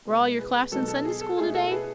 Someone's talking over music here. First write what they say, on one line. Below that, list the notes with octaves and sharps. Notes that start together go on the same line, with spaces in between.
"Were all your class in Sunday School today?"
B2 G#3 B3 E4
G#4 B4
B2 F#3 B3 D#4 A4
A4
G#4
A4
B2 A3 E4 G#4
A4
G#4 B4